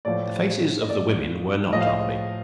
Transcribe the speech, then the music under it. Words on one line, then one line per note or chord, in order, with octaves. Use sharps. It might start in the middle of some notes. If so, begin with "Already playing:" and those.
The faces of the women were not lovely.
A2 F3 D5
D#5
D5
A2 F3 D#5
F5
D#5